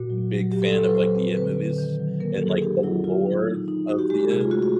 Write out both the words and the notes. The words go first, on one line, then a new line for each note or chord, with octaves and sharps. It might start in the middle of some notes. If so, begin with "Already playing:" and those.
big fan of, like, the It movies and, like, the lore of the It.
Already playing: A#2 F#4
F#3
F#3
F#3 G4
A4
F#3 A4
B4
F#3 C5
C4
D3 B4
D3
D#3
F#3
A#3 A#4
A4
F#3
G#4
D4 G4
F#3 E4
F#3 F4
D4
D#4
D#4
D#4 F#4
G4
G#3 G4
G4
C3 G#4
F4
A3 F#4
F#4